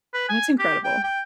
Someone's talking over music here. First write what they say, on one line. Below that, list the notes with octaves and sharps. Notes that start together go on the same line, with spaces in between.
That's incredible.
B4
G#5
G4
G5
G5